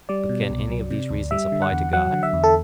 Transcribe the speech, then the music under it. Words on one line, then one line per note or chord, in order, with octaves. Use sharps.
But can any of these reasons apply to God?
G3 D5
B2
C2
F#3
C3
D2
G3 E5
D3
F#5
E2
F#3 F#5
D3
E5
E2
A4